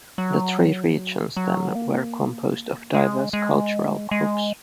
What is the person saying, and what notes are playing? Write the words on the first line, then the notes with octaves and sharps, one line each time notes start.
The three regions then were composed of diverse cultural groups.
F#3
F3
F#3
F#3
A#3
G#3
G#3
G#3